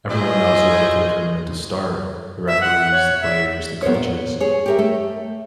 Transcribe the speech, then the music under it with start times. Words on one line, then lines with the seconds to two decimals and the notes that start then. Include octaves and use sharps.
everyone that was waiting for the tournament to start, the referees, the players, the coaches.
0.10 E4 F4 G#4 C5 C#5 D#5
2.47 E5
2.61 F#5
2.92 C#5
3.22 E5
3.82 B3 A#4 C5 C#5
3.94 A#2
4.40 G#4 C#5
4.66 G4 A#4 E5
4.79 A3